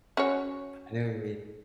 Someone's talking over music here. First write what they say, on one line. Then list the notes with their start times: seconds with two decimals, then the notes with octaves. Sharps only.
I know what you mean.
0.17 C#4 F#4 C#5